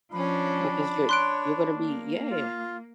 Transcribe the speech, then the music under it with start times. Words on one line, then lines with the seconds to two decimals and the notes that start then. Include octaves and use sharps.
because you're you're gonna be yeah.
0.12 F3 C#4 D4 B5
1.09 C#5 C6 F#6 D7
1.75 A#3
2.29 F4